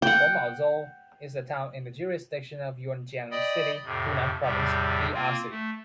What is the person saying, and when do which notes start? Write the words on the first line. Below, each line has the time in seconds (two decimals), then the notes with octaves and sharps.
Huangmaozhou is a town in the jurisdiction of Yuanjiang City, Hunan Province, P.R.C.
0.02 F#5 G5
3.31 D5 D#5 G5 B5 D#6
3.84 F2 A2 C3
4.41 E2 A2 C3 G3
5.13 A#3 C4 F4
5.50 A3